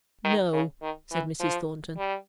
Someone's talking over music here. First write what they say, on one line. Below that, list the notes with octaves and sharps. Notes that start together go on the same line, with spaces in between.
'No!' said Mrs. Thornton.
D#3
C#3
D#3
E3
F3
G3